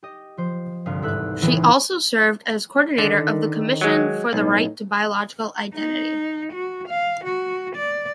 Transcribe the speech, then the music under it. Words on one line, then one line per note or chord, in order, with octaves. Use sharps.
She also served as coordinator of the Commission for the Right to Biological Identity.
G4 D#5
F3 C5
G1 C2 G2 F5
E2 G#2 A4 E5 E6 F#6
D#1 C#2 E3 G#4
D3 D#3
F#3 G#3
B1 A2 D#4
D#4
F#4
F5
F#4
D5